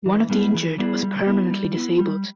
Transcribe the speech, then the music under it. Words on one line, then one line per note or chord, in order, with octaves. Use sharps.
One of the injured was permanently disabled.
E3
G3 B3 E4 G#4
E3
G3 B3 E4 G#4
G3
B3 E4
G3
B3 E4
G3